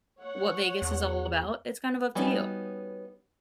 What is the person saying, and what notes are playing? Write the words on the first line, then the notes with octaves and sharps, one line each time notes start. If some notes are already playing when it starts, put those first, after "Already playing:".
what Vegas is all about, it's kind of up to you.
C#5 F#5
E2
G3 B3 C#4 D#4 F#4